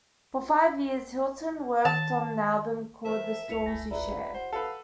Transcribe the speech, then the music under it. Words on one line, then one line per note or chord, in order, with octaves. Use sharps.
For five years, Hilton worked on an album called "The Storms We Share".
D#3 A5
E3 A#4 C5 E5 A5
G3 E4 B4 B6 C#7 F7
A3 G#5 A#6
E4 F#4 G#4 B4 D5 E5 A#5
C5 F#5
A4 B4 F5